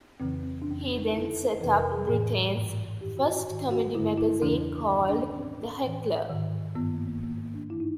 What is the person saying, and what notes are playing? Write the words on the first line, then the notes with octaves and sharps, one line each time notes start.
He then set up Britain's first comedy magazine called "The Heckler".
F2 C#3 E3 C4
C4
D4
F2 C#3 E3 C#4
D4
D#4
F#2 D3 E4
A4
A#4
F2 C3 E3 B4
A#4
G#4
A2 E3 G#4
G#2 E3
F#2 D#3 G4
F#4
F#4
G#2 D#3 F#4
F#4
G2 D3 E4
E4
E2 C#3 E3 D4
G2 D#3
D4
C#4
A2 E3 C4
A2 E3
G#2 D#3
G2 D#3 B3
A#3
A#3
G#2 D#3 A#3
A#3
D4
G2 E3 E4
D#4